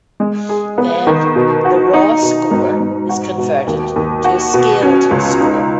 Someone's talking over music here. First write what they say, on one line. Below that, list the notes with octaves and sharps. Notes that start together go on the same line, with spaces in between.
Then, the raw score is converted to a scaled score.
G#3
G#4
B3
D#3
B2
F#4
D#4
B2
G#2
G#2
F#4
B2
D#2
D#2
F#4
B2
C#4
C#2
D#4